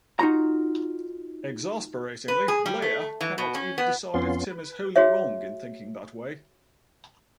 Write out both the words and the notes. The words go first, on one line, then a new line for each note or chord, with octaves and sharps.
Exasperatingly, Leah cannot even decide if Tim is wholly wrong in thinking that way.
D#4 F4 F#4 A#5
B4
G#4
G3
A3
E3
B2
C#4
B3
F2 B3 C#4 F4 C6
B4
F#4 G#4 C#5 E5